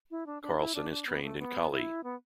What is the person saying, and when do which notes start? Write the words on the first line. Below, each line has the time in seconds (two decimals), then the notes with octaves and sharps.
Carlson is trained in Kali.
0.11 E4
0.26 D4
0.42 D4
0.59 E4
0.75 D4
0.91 D4
1.07 B3
1.23 A3
1.39 B3
1.71 E4
2.03 B3